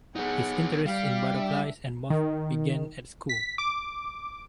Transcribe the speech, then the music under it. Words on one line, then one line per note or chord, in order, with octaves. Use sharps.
His interest in butterflies and moths began at school.
B3 D#4 G#4 F#5
G3 F5
D4 E5
D#3
B6
D6